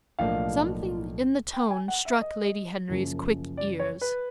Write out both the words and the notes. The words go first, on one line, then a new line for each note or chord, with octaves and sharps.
Something in the tone struck Lady Henry's quick ears.
B1 A2 F3 A#3 D4 F5
G5
G#5
F#5
E5
D#5
F#2 C#3 F3 A#3 C#4
D5
C#5
B4